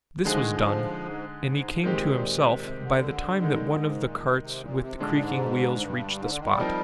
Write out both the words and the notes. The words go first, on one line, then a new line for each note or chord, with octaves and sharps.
This was done, and he came to himself by the time that one of the carts with the creaking wheels reached the spot.
D3 F3 G#3 D#4 G#4
D#3
F3
G#2
G#2
A#2 D#3 G#3 C4 G4
C3
D3
D#3 G#3 D#4
G#2
A#2
C3
C3
A#2
C3
A#2 D3 G#3 D4
G#2
G2
G#2
D3
D#3
G3
F3 C4 D#4 A#4